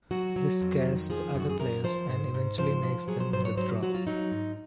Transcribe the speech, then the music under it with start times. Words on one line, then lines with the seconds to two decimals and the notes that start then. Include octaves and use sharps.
This scares the other players and eventually makes them withdraw.
0.11 F#3 F#4
0.36 F#3
0.61 F2
0.85 D#3
1.10 F3 G#4
1.35 F#2
1.40 F#4
1.50 G#4
1.60 F#2 A#4
1.84 F3 C5
2.09 G#2 C5
2.34 G#2
2.58 F3 C5
2.83 F3
3.08 F#3 G#4
3.20 C5
3.33 G#2 C5
3.45 C#5
3.57 F#3 C5
3.83 F#3 F#4
3.94 F4
4.07 F#3 D#4
4.32 G#2